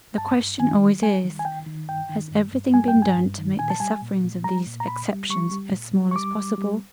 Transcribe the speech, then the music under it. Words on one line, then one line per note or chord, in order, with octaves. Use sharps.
The question always is, has everything been done to make the sufferings of these exceptions as small as possible?
G2 A5
G2
D#3 G#5
G3
G3 G#5
D#3
G#5
D#3 G5
D#3
G2 G5
D#3
G2
G2
G3 G#5
G5
G2
G#5
G2
D#3
A#2 G#5
A5
G3 G#5
A#2
A#2
G3 A#5
A#2
A#5
A#2 B5
G3
G3 C#6
G3
A#2
G3
C#6
G3 D6
G3
G3